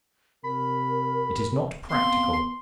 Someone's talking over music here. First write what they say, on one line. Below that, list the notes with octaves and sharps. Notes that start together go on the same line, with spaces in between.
It is not practical.
C3 A#4 B5
B3 C4 F5 C6